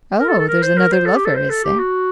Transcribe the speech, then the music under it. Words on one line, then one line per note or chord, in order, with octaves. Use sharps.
"Oh, there's another lover, is there?"
A#4
A4
A4
A#4
C5
A#4
C5
A4
G4
A4
C5
A4
G4
F#4